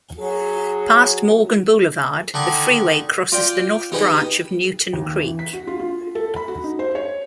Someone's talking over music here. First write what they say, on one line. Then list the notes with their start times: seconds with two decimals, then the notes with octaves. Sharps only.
Past Morgan Boulevard, the freeway crosses the North Branch of Newton Creek.
0.19 F#3 G#4
2.34 D3 D#3 D4 G#5
3.32 F4 D5 G5
3.92 D#4 G4 G#4 B4 D#5 B5
4.93 D#2
5.21 E3
5.39 B6
5.53 F#4
5.67 F4
5.79 F4
6.15 A4
6.36 B5
6.48 F#4
6.64 D#4
6.79 C5
6.95 C#5